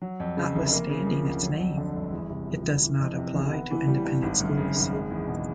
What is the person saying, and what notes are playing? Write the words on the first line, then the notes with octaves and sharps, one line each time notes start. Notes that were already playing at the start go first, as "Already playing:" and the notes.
Notwithstanding its name, it does not apply to independent schools.
F#3
F2
C#3
F1
A#3
C#3
F3
D2
F#3
F2
D3
G1
E2
C3
F3
E2
E3
F2
C3
F1
B3
E3
G3
G2
G#1
F#2
C#3
G#1
G#3
E2
B2